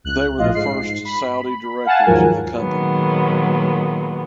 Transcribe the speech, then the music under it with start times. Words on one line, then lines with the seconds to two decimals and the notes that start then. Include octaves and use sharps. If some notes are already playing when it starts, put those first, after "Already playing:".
They were the first Saudi directors of the company.
0.04 C#2 F#6
0.38 A#1 A2 F4 D#5
0.54 G#2 C7
1.05 B5
1.85 F5 F#5 G#5 A5
2.06 D#2 G#2 F3 F#3 A#4 G#5
2.57 A#2 D#3 F#3 G#3 A#3 B3